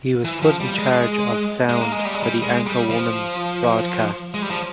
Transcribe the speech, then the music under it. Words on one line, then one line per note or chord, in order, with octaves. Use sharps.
He was put in charge of sound for the anchorwoman’s broadcasts.
E3
F3
G3
G#3
G#3
A#3
G#3
G3
G#3
G3
G#3
G3
F3
G#3
G3
F3